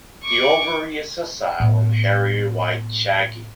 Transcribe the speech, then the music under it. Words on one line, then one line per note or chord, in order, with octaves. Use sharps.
The ovary is sessile and hairy white shaggy.
C#6 D6
A2 B3